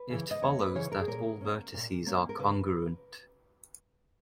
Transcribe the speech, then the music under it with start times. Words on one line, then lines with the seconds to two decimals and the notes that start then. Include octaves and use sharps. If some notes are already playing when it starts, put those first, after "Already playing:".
It follows that all vertices are congruent.
Already playing: B4
0.10 C#3 E3
0.31 D#5
0.42 E2 C#5
0.59 B4
0.75 C#3 E3 C#5
0.92 A#4
0.99 G#4
1.07 A#2 A#4
1.41 A#3 C#4
1.74 A#2
2.07 A#3 C#4
2.29 A#4
2.39 C#3 B4